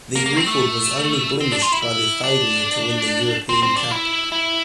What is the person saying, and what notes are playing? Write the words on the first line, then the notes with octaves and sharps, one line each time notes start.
Their record was only blemished by their failure to win the European Cup.
A#3
A#3
C4
A3
C4
D4
F4
E4
E4
D4
C4
C4
D4
E4
E4